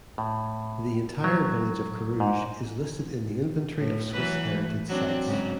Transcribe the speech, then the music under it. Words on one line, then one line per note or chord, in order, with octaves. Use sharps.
The entire village of Carouge is listed in the Inventory of Swiss Heritage Sites.
A2
F#3
G#2
A2
E3 F#3 B4
A3
F#3 C4 D4
G#2 C#3 F#3